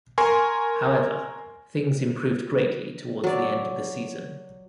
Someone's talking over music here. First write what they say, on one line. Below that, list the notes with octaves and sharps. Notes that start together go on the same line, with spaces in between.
However, things improved greatly towards the end of the season.
A#4 G#5 C6 C#6
F#3 D5